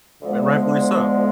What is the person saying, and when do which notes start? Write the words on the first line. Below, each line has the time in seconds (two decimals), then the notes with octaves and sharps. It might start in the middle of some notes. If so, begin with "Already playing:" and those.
And rightfully so.
0.22 D2 D3 F3 G#3 B3